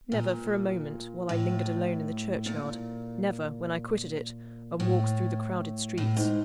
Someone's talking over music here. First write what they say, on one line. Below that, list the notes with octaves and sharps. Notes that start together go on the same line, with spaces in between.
Never for a moment, while I lingered alone in the churchyard; never, when I quitted it, and walked through the crowded streets.
A#2
A2
A#2
A2
A2
G#2